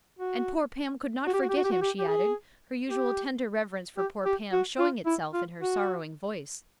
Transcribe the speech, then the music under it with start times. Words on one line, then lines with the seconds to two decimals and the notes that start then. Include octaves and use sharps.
"And poor Pam could not forget him," she added, her usual tender reverence for poor Pam showing itself in her sorrowing voice.
0.19 F#4
1.27 F#4
1.34 G4
1.41 F#4
1.49 G4
1.56 F#4
1.65 G4
1.72 F#4
1.81 G4
1.99 G4
2.08 G#4
2.89 G4
3.98 G4
4.26 G4
4.53 F#4
4.79 F4
5.06 E4
5.34 F4
5.61 F#4